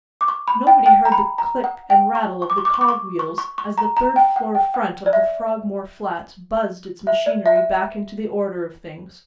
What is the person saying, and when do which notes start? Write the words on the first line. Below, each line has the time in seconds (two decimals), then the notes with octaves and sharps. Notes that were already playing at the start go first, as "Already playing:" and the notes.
Nobody heard the click and rattle of the cog-wheels as the third-floor front of the Frogmore flats buzzed its machinery back into the Order of Things.
0.21 D6
0.28 C#6
0.48 B5
0.67 G5
0.86 G5
1.05 A#5
1.12 B5
1.38 A#5
1.64 F#5
1.90 G5
2.15 C#6
2.42 C#6
2.50 D6
2.58 C#6
2.65 D6
2.74 C#6
2.81 D6
2.89 C#6
3.19 C#6
3.38 C#6
3.58 C#6
3.78 A#5
3.97 A#5
4.16 G5
4.36 F#5
4.55 G5
4.74 F#5
5.06 D5
5.13 E5
7.07 E5
7.26 D5
7.46 E5
7.56 E5